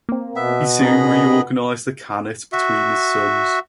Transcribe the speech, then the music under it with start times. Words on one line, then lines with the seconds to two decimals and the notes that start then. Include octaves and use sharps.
He soon reorganized the khanate between his sons.
0.09 A#3 C4
0.36 B2 B3 E5
0.81 C4 D4 G#4 A#4 D#5 B5
2.52 F#4 E5